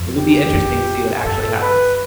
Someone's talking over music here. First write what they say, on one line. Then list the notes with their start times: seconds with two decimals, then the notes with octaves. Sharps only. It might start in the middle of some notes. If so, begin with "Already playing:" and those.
it would be interesting to see what actually happens.
Already playing: F2
0.18 G4
0.54 F2
1.25 G2 A4
1.62 B4